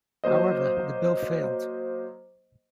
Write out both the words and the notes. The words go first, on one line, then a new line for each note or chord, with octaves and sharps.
However, the bill failed.
F#3 A#3 C5 D#5